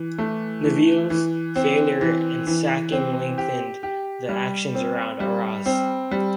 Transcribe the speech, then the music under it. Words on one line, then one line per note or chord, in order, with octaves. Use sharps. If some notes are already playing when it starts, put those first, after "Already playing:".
Nivelle's failure and sacking lengthened the actions around Arras.
Already playing: E3
A3
E3
E3
C4
E3
E3
C4
G4
G4
G3
C4
G3
C4
G3